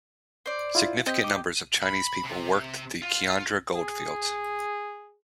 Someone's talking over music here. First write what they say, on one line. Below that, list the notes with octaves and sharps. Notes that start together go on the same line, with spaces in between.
Significant numbers of Chinese people worked the Kiandra goldfields.
C5 D5
E4 F4 F5
C4 G4 D#5
D6
B5
C3
F4
G#4